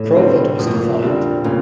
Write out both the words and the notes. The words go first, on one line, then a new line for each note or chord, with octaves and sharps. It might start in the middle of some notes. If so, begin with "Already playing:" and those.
Crawford was defiant.
Already playing: A2
D3 G3 C4
F2 A#2
B2
A#2
D3 G3 C4
A#2 C#3